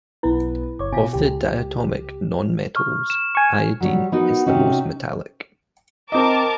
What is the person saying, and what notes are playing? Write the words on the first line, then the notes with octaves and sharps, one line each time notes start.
Of the diatomic nonmetals, iodine is the most metallic.
B1 B3 E4 B4
G1 C#5 D6
B2 F5 G#5
C#2 G4
C#6 F6
E7
G#5 C#6
F#3 G3 C#5
B3 D#4 F#4 A#4
C3 C#4 D#4 F#4
C4 A#4 D#5 A5 D6